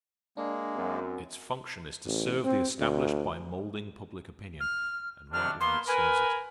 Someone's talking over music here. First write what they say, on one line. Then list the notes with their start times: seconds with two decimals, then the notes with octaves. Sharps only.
Its function is to serve the established by moulding public opinion, and right well it serves it.
0.37 G#3 A#3 D4
0.76 F#2 C4
2.06 A1
2.44 C4
2.79 D2
4.60 F6
5.33 C3 D#3 D4 F6
5.60 A#3 B3 C6
5.87 A#4 B4 G#5 B5